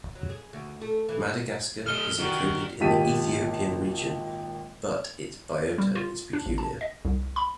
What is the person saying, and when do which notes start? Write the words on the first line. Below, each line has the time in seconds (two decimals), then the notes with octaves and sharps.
Madagascar is included in the Ethiopian Region, but its biota is peculiar.
0.15 F#3
0.30 G#4
0.53 D2
0.82 A3
1.09 E3
1.86 A3 D#5 F6 G7
2.18 D#3 F#4 D5
2.80 G#1 A#2 G4 A5 B6 D#7
5.78 G3
5.95 F4
6.33 D4
6.46 A1
6.58 A5
6.81 D#5
7.05 C2
7.36 B5